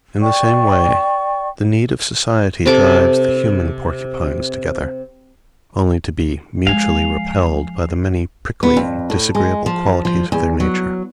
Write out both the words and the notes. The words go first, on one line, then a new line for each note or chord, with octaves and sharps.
In the same way the need of society drives the human porcupines together, only to be mutually repelled by the many prickly and disagreeable qualities of their nature.
D5 G5 C#6
C3 A4 D6
F3 G#3 F5 G#5
B3
F2
A2
G#3
F3
F3
E2
F#3